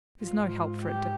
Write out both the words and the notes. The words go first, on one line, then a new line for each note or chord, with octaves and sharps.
There's no help for it, Dick.
G#2 F4
G4